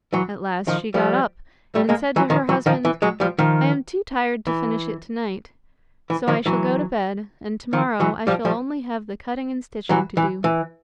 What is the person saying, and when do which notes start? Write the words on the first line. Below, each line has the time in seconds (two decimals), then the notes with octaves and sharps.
At last she got up, and said to her husband: 'I am too tired to finish it to-night, so I shall go to bed, and to-morrow I shall only have the cutting and stitching to do.'
0.13 E3 F#3
0.67 D#3 F3
0.94 F3 G3
1.75 G3 A3
1.89 G#3 A#3
2.16 E3 F#3
2.30 D#3 F3
2.49 E3 F#3
2.66 D#3 F3
2.85 E3
3.02 F#3 G#3
3.20 F3 G3
3.39 D#3 F3
4.47 E3
6.10 E3
6.28 D#3 F3
6.46 E3 F#3
7.73 D#3 F3
8.00 E3 F#3
8.27 F3 G3
8.45 F3 G3
9.89 E3 F#3
10.17 E3
10.44 E3